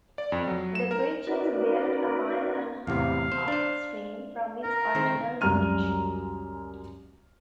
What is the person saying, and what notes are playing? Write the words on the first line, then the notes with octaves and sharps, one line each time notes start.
The bridge is built a mile and a half upstream from its original location.
D5
F2
F#3
E7
A#4
C#4 D#4 F#4 A#4 B4 D5
E2 A2 C3 F5
C5
D4 C5
A#4
D#3 C4 C5
C#2 F#2 G3 A#5 F6 D#7